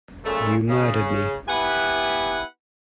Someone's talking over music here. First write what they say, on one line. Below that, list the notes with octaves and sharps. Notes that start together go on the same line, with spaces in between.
You murdered me.
F#2 A#2 C#3 A3
C#3
B3 E4 G4 B4 F#5 G#5